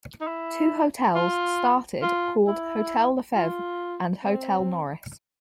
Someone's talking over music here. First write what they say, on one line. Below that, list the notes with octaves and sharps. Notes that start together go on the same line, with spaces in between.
Two hotels started called Hotel Lefevre and Hotel Norris.
D#4
E4
F4
F4
E4
F4
C4